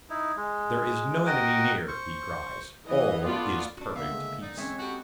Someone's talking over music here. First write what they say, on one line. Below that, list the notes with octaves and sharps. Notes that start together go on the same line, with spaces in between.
"There is no enemy near," he cries, "all is perfect peace!"
D#4 E4
G#3
F#4 A#4 D#5 F#5 G5
C5 C#6
E3 D#5
A3 B3 F4 D5
D4 F#4
D3 A#3 B3 E5 F5
C#3 G#3 A3
D#4 D5
E3 G#3 C4 C#4 C#5 E5
A3 B3 F#4 G4